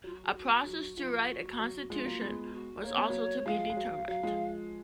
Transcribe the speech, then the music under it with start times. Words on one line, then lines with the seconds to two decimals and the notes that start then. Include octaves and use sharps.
A process to write a constitution was also to be determined.
0.04 F#3 F4
0.14 F#4
0.25 G#4
0.35 F#4
0.66 F#3
0.97 F3 F4
1.13 F#4
1.20 G#4
1.27 F#4
1.59 F#3
1.90 F3 G#3 F4
2.06 F#3 A#3
2.22 G#3 B3
2.52 F#4
2.83 A#3 C#5
2.97 B3
3.09 F#3 A#3
3.46 F3 G#3 F5
3.70 G#3
3.77 F#3
4.08 F#3 F5
4.23 F3 G#3